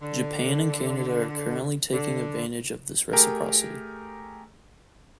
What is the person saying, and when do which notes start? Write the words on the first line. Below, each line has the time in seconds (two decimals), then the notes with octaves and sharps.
Japan and Canada are currently taking advantage of this reciprocity.
0.01 D3
1.92 D3
3.13 A3 G4 G#4 A#4